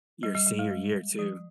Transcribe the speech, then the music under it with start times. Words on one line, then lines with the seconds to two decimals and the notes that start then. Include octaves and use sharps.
Your senior year too.
0.23 G3
0.35 G3
0.47 G3
0.59 G#3
0.71 G3
1.19 F3